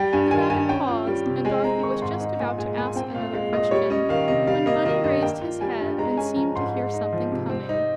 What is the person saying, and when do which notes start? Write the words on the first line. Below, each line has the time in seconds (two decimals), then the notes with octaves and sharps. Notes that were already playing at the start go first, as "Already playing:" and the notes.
The Rabbit paused, and Dorothy was just about to ask another question when Bunny raised his head and seemed to hear something coming.
Already playing: G3 G5
0.13 G2 G#5
0.31 D#3 G#5
0.50 G2 G#5
0.69 C#4 G5
0.88 F4
1.07 G3
1.26 C3
1.45 G#3 G#5
1.64 C4 A#5
1.82 D#3 C#6
2.02 G#2 C6
2.21 D#4
2.40 A#2 G#5
2.58 G#3 G#5
2.78 A#2 G#5
2.96 C4 G5
3.15 A#2 F5
3.33 G#3 F5
3.53 A#2 D#5
3.71 G3 C#5
3.90 C#4 D#5
4.09 D#3 F5
4.28 C3 D#5
4.47 G3 F5
4.66 A#3 D#5
4.85 D#3 D#5
5.04 G2 D#5
5.22 A#3 G5
5.41 F4
5.61 G3 G#5
5.80 G2
5.98 G#3 A#5
6.17 C#4 G#5
6.36 F3 A#5
6.55 G#2 C6
6.74 G#3
6.94 D#4
7.13 F3
7.32 C3
7.49 C4
7.69 D#4